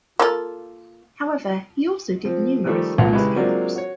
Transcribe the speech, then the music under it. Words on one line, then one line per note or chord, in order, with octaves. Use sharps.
However he also did numerous landscapes.
A#3 F4 A4
F3 C4
D#3 F3 G3 A3 G4 A4
B1 A#2 F4 F5 F#5
C#3 G#3 D#4 E4 G4 B4
F#3 G#3 A#3 C4 D4 F4
F#4 C#5